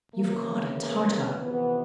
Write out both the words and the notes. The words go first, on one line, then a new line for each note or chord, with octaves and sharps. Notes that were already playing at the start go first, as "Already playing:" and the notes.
'You've caught a Tartar.'
E2 C#3 E3 A#3
A#3
F2 C3 E3 B3